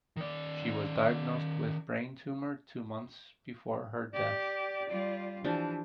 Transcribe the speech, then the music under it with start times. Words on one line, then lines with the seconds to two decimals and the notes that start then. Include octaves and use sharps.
She was diagnosed with brain tumor two months before her death.
0.17 D#3 D5
4.13 G4 D5
4.89 G3 F4
5.44 E3 F3 D4 G4